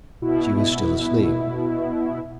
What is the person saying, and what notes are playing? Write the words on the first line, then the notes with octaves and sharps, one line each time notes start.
She was still asleep.
B2 E4